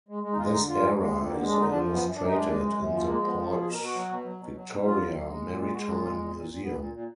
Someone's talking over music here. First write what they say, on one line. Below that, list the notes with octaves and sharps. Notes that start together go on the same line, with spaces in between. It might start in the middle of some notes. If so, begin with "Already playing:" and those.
This era is illustrated in the Port Victoria Maritime Museum.
G#3
G#3
D#4
G#3 F4
D3 D#4
F2 F4
G#3
G#3
F2
D3 A#3
B3
G#3
D4
D3 D#4
F3 D4
F#2
B3
F#2
F#2 D4
D#4
G#3 D4
G#3
F#2
F#2
F3
G#3 A#3
F3
B3
F3
B2 G#4
G#4
B2
A#4
B2 F#4
F#3
B2
F#3
B2
F#3
B2
F#3 F4
F#3
F#3
G#3
A#2
G#3
G#3 F#4
A#2 F#4
G#3 F4
A#2
A#2
A#2
A#2 B3
A#2
A#2